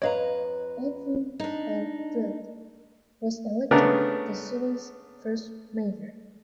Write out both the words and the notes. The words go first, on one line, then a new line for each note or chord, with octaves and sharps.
Edwin L. Dirck was elected the city's first mayor.
F2 B4 C#5 D#5 F5 A#5
D4 D#4
C#3 A3 B3 D4 A#4